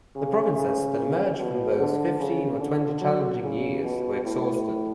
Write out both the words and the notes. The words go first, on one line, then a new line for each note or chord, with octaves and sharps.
The provinces that emerged from those fifteen or twenty challenging years were exhausted.
C#3
C#3
C#3
B2
D3
C#3
D3
F#3
C#3
B2
A2